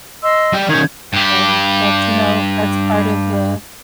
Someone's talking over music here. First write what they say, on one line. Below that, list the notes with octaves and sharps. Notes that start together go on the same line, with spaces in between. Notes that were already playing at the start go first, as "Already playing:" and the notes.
and that's you know, that's part of the
D#5 C6 E6
G3 G4
D#3 C#4 G6 G#6
G2 G4